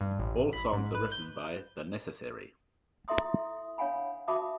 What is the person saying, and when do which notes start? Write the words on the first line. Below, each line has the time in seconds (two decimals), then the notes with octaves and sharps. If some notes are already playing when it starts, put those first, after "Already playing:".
All songs are written by The Necessary.
0.01 G2
0.19 A1
0.53 B5
0.73 G#2
0.95 B4
1.12 G6
3.08 E4 A4 E5 C6 D#6
3.78 D4 C#5 F5 F#5 G#5 B5
4.28 F#4 E5 A5 B5 D6 D#6